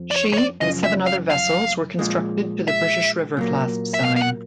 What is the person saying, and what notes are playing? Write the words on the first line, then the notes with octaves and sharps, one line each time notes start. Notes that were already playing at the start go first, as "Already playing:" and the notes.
She and seven other vessels were constructed to the British River-class design.
Already playing: F2 F3
D5
C#5
C#5
D5
F#2 C#3 F3 D#5
E5
F5
F5
A#2 F3 G#3
E5
A#2 F#3 A#3
E5
F5
F5
F#5